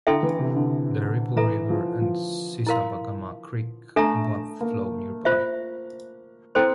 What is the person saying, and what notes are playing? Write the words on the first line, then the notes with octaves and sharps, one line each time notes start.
The Ripple River and Sissabagamah Creek both flow nearby.
D3 E4 A4 E5 G5 C6
E3
C3
D3
E3 A4 E5 A#5
F3
F3
E4 A#4 F5 C6
A3 D4 A4 E5 A#5
A#3
F4 C5 E5
C4 E4 A4 C5 G5 C6